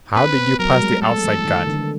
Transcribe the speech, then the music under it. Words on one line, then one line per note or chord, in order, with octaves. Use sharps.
"How did you pass the outside guard?"
C4 B4
B3
F#3 A#4
G3
G#3
A3 A4
E3
D#3
D3